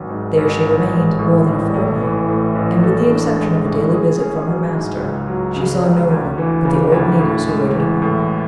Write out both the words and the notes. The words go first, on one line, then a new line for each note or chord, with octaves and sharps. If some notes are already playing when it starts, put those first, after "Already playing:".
There she remained more than a fortnight, and with the exception of a daily visit from her master, she saw no one but the old Negress who waited upon her.
Already playing: G#1 F#3
G#2
G#1
A1
G#3
A2
A1
A3
E3
A2
A1
A4
D4
G#3
A2
G#4
C#4
F#3
G#2
C#2
F#3
C#3
C#2
D2
E3
C#3
D2
A2
G#3
E3
A2